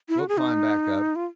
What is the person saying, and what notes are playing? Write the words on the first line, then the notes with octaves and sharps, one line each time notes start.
We'll climb back up.
E4
F#4
G#4
D#4
F4